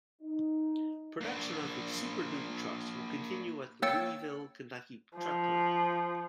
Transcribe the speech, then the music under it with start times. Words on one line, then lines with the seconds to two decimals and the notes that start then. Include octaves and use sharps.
Production of the Super Duty trucks will continue at the Louisville, Kentucky truck plant.
0.22 D#4
1.21 A#3 D4
3.82 A#3 C#5 G5 E6 A6 C#7
5.15 F3